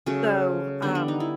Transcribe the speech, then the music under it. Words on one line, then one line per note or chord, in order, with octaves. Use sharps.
So, um
C#3 F#3 A3 C#4
D3 G3 B3 D4
D4
D#4
E4